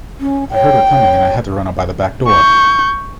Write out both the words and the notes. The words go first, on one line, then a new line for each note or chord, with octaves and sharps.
I heard her coming and I had to run out by the back door!
C#4
C#5 G5
C#5
C#6 G6